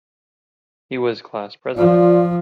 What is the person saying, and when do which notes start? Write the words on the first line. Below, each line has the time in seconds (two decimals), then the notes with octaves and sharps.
He was class president.
1.77 F3 F4 D5